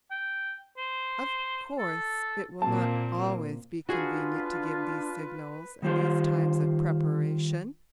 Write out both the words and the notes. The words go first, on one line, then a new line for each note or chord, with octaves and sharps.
Of course, it will not always be convenient to give these signals and these times of preparation.
G5
C5
A4
A#2 A#3 C4 A5
D4 F4 F#4 G#4 B4
D#3 G3 F4 G4 C5